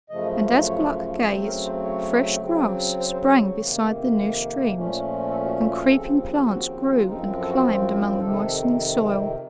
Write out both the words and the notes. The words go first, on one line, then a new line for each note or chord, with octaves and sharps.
And as Gluck gazed, fresh grass sprang beside the new streams, and creeping plants grew and climbed among the moistening soil.
F#2 C#3 F3 A3 D#5
C#5
C#3 F#3 A3 C4 C5
A#4
C5
C#5
C#3 F#3 C4
C5
C5
C#5
C#5
F2 C3 D#3 A#3
A#2 F3 A3 C#4
A4
F#4
F4
F#4
D#2 C#3 F3 C4 A4
F#4
F4
F#2 F3 C4 D#4
A4
F#4
F4
F2 C3 D#3 A4